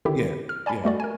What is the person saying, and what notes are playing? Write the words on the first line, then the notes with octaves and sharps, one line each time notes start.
Yeah. Yeah.
D3 D#3 E4 G4
F6
D5 G#5 A5 B5
G3 A3 F#4 D5
A#4 G#5